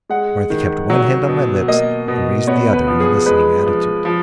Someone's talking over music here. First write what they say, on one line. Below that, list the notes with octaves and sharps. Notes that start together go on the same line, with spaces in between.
Martha kept one hand on my lips, and raised the other in a listening attitude.
G#3 F#5
D#3
F#3
B2
A#3 D#5
B2
B3 C#5
B4
F3
G#4
G#3 B4
F3
F3